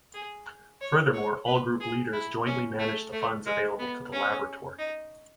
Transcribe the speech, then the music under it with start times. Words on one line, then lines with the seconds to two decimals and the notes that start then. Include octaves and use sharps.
Furthermore, all group leaders jointly manage the funds available to the laboratory.
0.14 G#4
0.81 C#5
1.13 C#5
1.46 B4
1.80 G#4
2.13 E4
2.46 C#4
2.79 A3
3.13 A3
3.46 G#3
3.79 B3
4.13 C#4
4.78 D#4